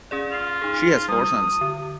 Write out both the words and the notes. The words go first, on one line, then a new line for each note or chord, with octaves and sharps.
She has four sons.
C#4 G#4 D5
F4 C7 F7
D#4 G#4
G3 F4 D#6
D3